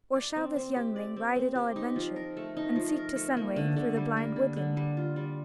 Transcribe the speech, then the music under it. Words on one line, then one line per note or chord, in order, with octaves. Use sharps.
Or shall this youngling ride at all adventure, and seek to Sunway through the blind woodland?
D5
C4
C4
G4
D5
C4
C4
G4
D#4
F3
A#4
A3
D#4
F3
A#4
A3
A#3
D3
D3
G3
A#3
D3
D3
G3
F4
G3